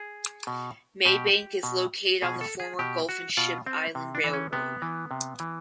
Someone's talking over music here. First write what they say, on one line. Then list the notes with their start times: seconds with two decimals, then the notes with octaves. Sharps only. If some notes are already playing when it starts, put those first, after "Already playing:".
Maybank is located on the former Gulf and Ship Island Railroad.
Already playing: G#4
0.47 B2
1.05 B2 G4
1.63 B2
2.22 B2 G#4
2.41 A4
2.60 G#4
2.79 B2 G4
3.09 F#4
3.37 B2 F4
3.66 C4
3.95 C3
4.15 D4
4.24 E3
4.33 C#4
4.53 C3 B3
4.82 E3
5.11 C3
5.40 E3